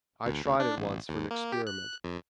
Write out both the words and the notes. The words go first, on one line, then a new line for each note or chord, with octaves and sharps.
I tried it once for an experiment.
D2
D2
D4
A1
D#2
A#3
G4
F#6
F2